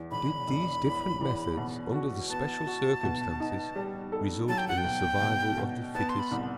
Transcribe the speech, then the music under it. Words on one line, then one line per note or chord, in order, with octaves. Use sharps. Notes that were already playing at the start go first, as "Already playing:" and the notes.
Did these different methods under the special circumstances result in the survival of the fittest?
Already playing: E2
E1 B5
E1
E2
E2
B2
F#4
B3 A5
F#4
B2
D#4
G3
A4
F#3 A5
G5
F#5
G5
B2
B2
B2
B3 A5
C6
B5
C2